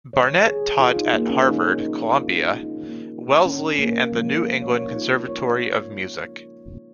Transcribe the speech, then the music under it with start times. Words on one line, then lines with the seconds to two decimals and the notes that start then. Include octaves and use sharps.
Barnett taught at Harvard, Columbia, Wellesley and the New England Conservatory of Music.
0.13 D#3 G#3 C#5
0.46 G#4
0.79 F4
0.96 D#4
1.13 A#3
1.30 C#4
1.46 C#3 F3 G#3 D#4
1.80 D#4
2.13 F4
2.29 C#4
2.46 C#4
2.63 D#4
2.79 D#3 A#3
3.46 C#4
3.79 A#3
4.12 C#3 F3 G#3 A#3
4.28 C#4
4.62 C#5
4.79 C#5
4.88 D#4
4.95 F4
5.28 C#5